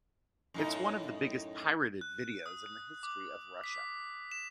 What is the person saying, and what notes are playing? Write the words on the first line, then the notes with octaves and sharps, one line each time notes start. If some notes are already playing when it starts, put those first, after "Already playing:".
It's one of the biggest pirated videos in the history of Russia.
F#2 A2 D#4
F#6
D#6
D6
B6
E7